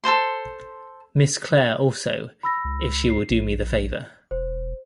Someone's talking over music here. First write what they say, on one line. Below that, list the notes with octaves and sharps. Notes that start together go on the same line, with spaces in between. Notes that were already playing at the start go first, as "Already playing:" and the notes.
Miss Clare also, if she will do me the favour.
A4 A#4 C5 C6
B5 E6 A#6
C#2
C7
A#1
E1 C5